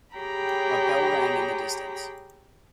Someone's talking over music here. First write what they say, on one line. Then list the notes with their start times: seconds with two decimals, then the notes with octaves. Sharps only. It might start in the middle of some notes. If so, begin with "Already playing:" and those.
A bell rang in the distance.
0.15 G4 G#4 C#5 G5 A#5 B5